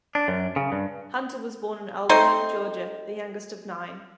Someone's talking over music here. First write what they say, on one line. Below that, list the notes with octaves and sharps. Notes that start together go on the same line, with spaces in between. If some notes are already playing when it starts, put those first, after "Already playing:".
Hunter was born in Albany, Georgia, the youngest of nine.
D4
F#2
C#3
G2
A3 C4 D#4 C5